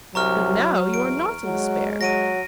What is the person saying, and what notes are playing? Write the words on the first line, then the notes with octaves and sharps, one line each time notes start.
"But now you are not in despair."
C2 F#3 A#5 C#6 F6
E2 D7
F#3 G#3
F#3 A#6 D7 D#7